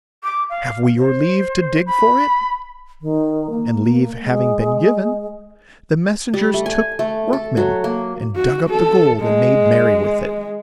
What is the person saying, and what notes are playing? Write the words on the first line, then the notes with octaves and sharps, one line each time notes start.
Have we your leave to dig for it?' And leave having been given, the messengers took workmen and dug up the gold and made merry with it.
D6
F5
C5
B5
D#3
A#3
G#3
G3
A3
G#5
A3
A4
F#3
A#3
F#4
A4
G#3